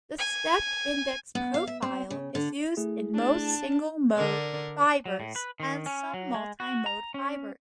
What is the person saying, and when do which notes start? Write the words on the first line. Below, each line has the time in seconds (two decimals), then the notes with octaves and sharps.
The step-index profile is used in most single-mode fibers and some multimode fibers.
0.19 G#5
1.35 B3
1.54 F5
1.67 E5
1.82 C4
2.10 C#3
2.35 D3
2.77 A3 E4 G#4
3.14 D4 A5
4.17 D3 A#4 D5
5.06 F#3
5.20 A2
5.36 B4
5.60 D#3
5.86 C#4
6.14 F#3
6.34 G#3
6.60 F#4
6.86 A#5
7.14 C#4